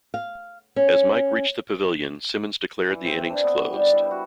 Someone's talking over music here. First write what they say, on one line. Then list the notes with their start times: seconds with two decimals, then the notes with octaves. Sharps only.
As Mike reached the pavilion, Simmons declared the innings closed.
0.14 F5
0.76 C#4
2.89 E3
3.06 C4
3.30 D4
3.44 B3
3.73 G3
3.93 E4
4.11 F#4